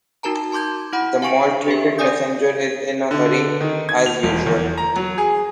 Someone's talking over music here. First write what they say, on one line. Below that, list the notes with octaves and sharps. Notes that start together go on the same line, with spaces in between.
The maltreated messenger is in a hurry as usual.
D#4 F#4 A#4 A5 A#5
A5 C6 D6 G6 G#6
E4 F#5 B5
F5 G#5 C#6 D7
G4 G#4 B4 E5
C#4 G4 D5 G#5 D#6 G6
D3
D#3
G#6
F7
E1
E2
A#5
F#3
G#4